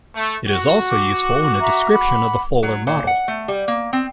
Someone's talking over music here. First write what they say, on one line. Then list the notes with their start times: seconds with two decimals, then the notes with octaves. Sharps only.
It is also useful in a description of the fuller model.
0.16 A3
0.48 F#4
0.90 D6
1.61 E5 A#5
1.93 F#5 B5
2.63 F#3
2.87 A#2
3.07 F#5
3.28 A3
3.48 G3
3.68 A#3
3.93 C4